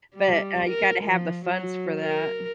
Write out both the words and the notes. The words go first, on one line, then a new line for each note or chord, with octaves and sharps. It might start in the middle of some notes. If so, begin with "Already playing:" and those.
but uh you gotta have the funds for that.
G3
A#4
F3
F#3
A#4